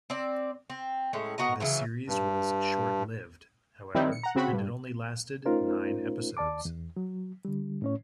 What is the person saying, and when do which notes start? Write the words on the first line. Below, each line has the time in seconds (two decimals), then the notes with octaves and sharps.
The series was short-lived, however, and it only lasted nine episodes.
0.10 C4 D5
0.70 C4
1.13 A2 G#3 C#4
1.38 B3 F#4 A#4 D#5
1.60 C#3 E3 F#3
2.07 G2
3.95 D#3 F3 G3 C4 D#4 E4
4.12 C#7
4.23 F#5 A#5
4.35 C#3 C4 F#4 B5
4.53 G2
5.46 A3 C#4 D#4 F4 A#4 C5
6.37 D#2 D5 A5 D6
6.65 E2
6.97 F#3
7.45 D3 G3
7.82 A2 C#4 C#5